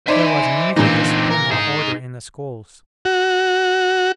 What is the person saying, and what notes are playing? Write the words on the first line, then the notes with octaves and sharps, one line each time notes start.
There was neither discipline nor order in the schools.
D#4 C5 D5 E5 G#5
A#2 D3 E3 C4 D#4
A#4
D#4 G#4
F#4